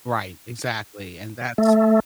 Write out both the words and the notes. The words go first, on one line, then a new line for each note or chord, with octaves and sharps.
Right, exactly, and that's
A3